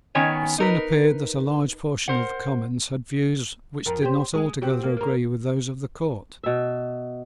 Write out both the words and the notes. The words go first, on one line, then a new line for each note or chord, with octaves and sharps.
It soon appeared that a large portion of the Commons had views which did not altogether agree with those of the Court.
D#3 B3 C#4 C#5 G#5
D#4 A#4 B4
A#4 C5 F#5
F2 F4 A#4
G4 C5
G#3 G#4
C4 F#4 G4
A#3
A#3 A#4
B2 E5